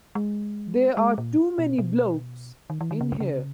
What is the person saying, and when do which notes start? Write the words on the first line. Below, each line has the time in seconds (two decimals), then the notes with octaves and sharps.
There are too many blokes in here.
0.15 G#3
0.97 G#3
1.18 A#2
1.58 B2
1.78 B2
2.70 D#3
2.81 E3
2.91 D#3
3.01 C#3
3.20 C#3